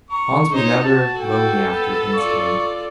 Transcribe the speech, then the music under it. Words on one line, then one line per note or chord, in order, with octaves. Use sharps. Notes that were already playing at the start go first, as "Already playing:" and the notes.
Hans was never lonely after Prince came.
A#5 C#6
D#4 C5 C#5
F#4 A5
A4 G5
B3
F4 D5 C#6